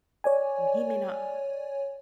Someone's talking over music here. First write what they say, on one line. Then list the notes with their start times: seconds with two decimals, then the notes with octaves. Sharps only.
he may not
0.24 C#5 D5 G#5